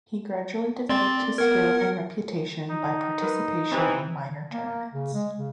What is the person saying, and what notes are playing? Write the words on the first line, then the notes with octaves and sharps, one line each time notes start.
He gradually developed his skill and reputation by participation in minor tournaments.
C4 D5 C6 A6
B3 A#4 F#5 G#6
D#4
A#4 B4
E3 C4 G4
A#3
A#3
C#3
G#3
C#3